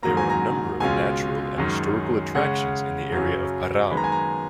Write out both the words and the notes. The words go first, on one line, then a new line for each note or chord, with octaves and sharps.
There are a number of natural and historical attractions in the area of Parral.
G#2 D#3 F#3 A#3 A#5
G#5
A#5
C#2 B2 G#3 C#4 F4 G#5
F#2 D#3 G#3 C#4
C#3 G#3 C#4 F#5
F#2 C#3 F#3 C#4
F#2 D#3 G#3 B3 B5
A#5
G#5
A#5